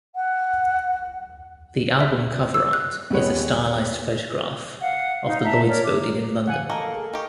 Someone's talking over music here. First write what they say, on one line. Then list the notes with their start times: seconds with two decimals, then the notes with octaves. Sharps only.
The album cover art is a stylised photograph of the Lloyd's Building in London.
0.15 F#5
2.00 E5
2.54 E6
2.73 F#6
3.10 D#2 G3 G#3 B3 C#5
4.82 F5 F#5
5.25 D#4 F5
5.44 E5 A5 A#5
5.68 A#4 C#5 D5
5.85 D6
6.47 F5 F#5 G#5
6.70 A#3 A4 A#4 D#5 A5
6.93 G#4
7.14 D#4 G4 C#6